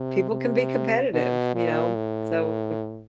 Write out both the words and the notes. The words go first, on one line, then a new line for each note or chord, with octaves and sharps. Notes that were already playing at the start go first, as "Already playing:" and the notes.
people can be competitive, you know, so,
Already playing: C3
C3
B2
A#2
A2